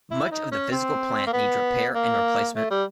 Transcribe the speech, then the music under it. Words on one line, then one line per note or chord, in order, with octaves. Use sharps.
Much of the physical plant needs repair and replacement.
E4
D#4
C#4
C4
A#3
B3
A#3
A3
G3